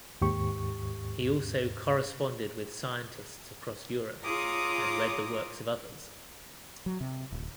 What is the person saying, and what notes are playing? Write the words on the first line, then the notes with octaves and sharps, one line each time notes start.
He also corresponded with scientists across Europe and read the works of others.
D#2 G#2 G4 C#6
F4 G#4 C#5 A#5 D6 D#6
F#3
C3
D1